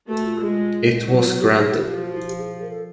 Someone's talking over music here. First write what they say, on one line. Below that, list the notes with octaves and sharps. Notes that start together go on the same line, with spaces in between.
It was granted.
A3 F#4
F4
G#3
F#3 E4
F4
F#4
G4
G#4
G#4
F3 G4
F#4
E4
G4
G#4
A#4
A4